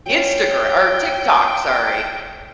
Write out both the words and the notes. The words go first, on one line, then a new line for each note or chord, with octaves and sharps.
Instagr or TikTok, sorry,
F#3 C#4 G5